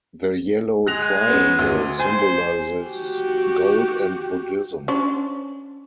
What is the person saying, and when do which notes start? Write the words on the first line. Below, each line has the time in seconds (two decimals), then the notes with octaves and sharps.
The yellow triangle symbolizes gold and Buddhism.
0.87 G#3 F#6 A#6 F7
1.28 B3 C#4
1.59 D2
2.00 C5 G#5
2.85 F#4 G4
4.88 C#4 D4 C5